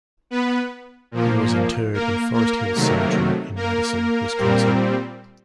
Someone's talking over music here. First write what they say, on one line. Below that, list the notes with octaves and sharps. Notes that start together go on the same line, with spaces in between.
He was interred in Forest Hill Cemetery in Madison, Wisconsin.
B3 B4
A#2 F3 A#3
A#3 A#4
A#3 A#4
C3 D#3 F#3 A3
A#3 A#4
A#2 G3 C4